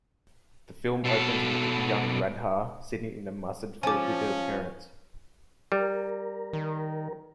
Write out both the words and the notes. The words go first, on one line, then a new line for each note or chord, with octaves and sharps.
The film opens with young Radha sitting in a mustard field with her parents.
B2 A4
F3 C#4 G#5 D6
G3 A#4
D#3